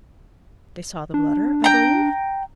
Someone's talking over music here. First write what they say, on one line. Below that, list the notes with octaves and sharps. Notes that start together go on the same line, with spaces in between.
"They saw the letter, I believe?"
D4
G5 A#5